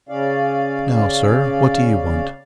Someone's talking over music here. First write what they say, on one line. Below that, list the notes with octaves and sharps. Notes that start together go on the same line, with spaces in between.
'Now, sir, what do you want?
C#3 C#4 D5 F5